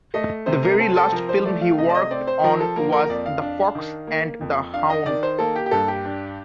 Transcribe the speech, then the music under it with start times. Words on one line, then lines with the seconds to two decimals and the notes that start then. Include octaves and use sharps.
The very last film he worked on was "The Fox and the Hound".
0.14 A3 D#5
0.46 C3 C5
0.63 A#4
0.79 C4 A4
0.96 A4
1.12 F3 A#4
1.29 C5
1.45 A3 D5
1.61 F5
1.78 C3 D#5
1.89 D5
1.94 D#5
2.11 C4 D5
2.27 C5
2.44 F3 A#4
2.60 A4
2.76 A#3 A#4
2.92 A#4
3.09 F2 D5
3.26 F5
3.42 D4
3.75 D#3
4.07 A#3
4.41 F2
4.74 D4 F5
4.90 D#5
5.06 D#3 D5
5.23 C5
5.38 A#3 A4
5.56 G4
5.66 G4
5.71 G2 A4
5.88 G4
6.05 D4